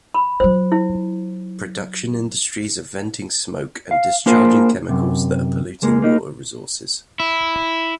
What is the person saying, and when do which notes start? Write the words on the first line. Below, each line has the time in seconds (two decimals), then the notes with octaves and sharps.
Production industries are venting smoke and discharging chemicals that are polluting water resources.
0.14 B5
0.40 F#3 F4 C5
0.72 E4
3.91 F5
4.26 A#3 D4 F4 G#4 A#4 C5
4.89 F#2 C3
5.82 C#2 G#3 A#3
6.02 A#3 D#4
7.20 E4